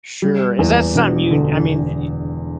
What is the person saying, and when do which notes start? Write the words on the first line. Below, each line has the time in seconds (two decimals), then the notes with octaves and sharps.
Sure. Is that something you, I mean,
0.22 G3
0.59 E2
0.95 E1
1.31 D3